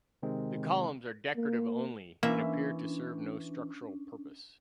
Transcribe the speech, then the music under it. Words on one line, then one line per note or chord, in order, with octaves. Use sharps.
The columns are decorative only, and appear to serve no structural purpose.
C3 D#3 G#3 C4
A#3
E3 A#3 C#4 D4 E5